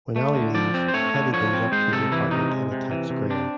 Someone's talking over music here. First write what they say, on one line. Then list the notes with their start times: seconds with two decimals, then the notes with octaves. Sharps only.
When Allie leaves, Hedy goes up to the apartment and attacks Graham.
0.16 A3
0.35 D3
0.54 F3 D5
0.74 C4
0.88 C5
0.94 A3 C#5
1.14 D3
1.33 F3 C#5
1.53 C4
1.72 G#3 C5
1.92 C3 A4
2.12 E3 E4
2.31 C3 D#4
2.51 G#3
2.72 C3
2.91 E3
3.10 C3
3.30 C4 D4